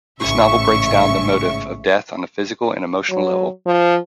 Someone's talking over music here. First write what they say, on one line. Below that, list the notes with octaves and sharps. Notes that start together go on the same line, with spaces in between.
This novel breaks down the motif of death on a physical and emotional level.
A1 G#2 C#3 E5 C#6
F#3
F3